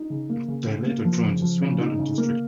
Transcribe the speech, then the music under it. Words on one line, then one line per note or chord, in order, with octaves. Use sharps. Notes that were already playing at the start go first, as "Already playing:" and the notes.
They later joined the Swindon and District League.
Already playing: D#4
C#3
A#3
C#3
C#3
A#3
F3
C#3
F3
C#3
D#4
C#3
A#3